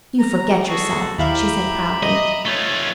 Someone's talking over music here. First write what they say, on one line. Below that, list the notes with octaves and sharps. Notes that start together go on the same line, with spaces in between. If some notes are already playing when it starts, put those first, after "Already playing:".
"You forget yourself," she said proudly.
A#5
F#4 G#4 A4 C#6
D#2 E4 G4 E5 F5 A#5 B5
D#5
A3 F4 C#5